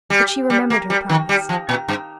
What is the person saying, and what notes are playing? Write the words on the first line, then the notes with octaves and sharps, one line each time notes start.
But she remembered her promise.
G3
G3
A#3
G3
D#3
G3
F3
A#2
G2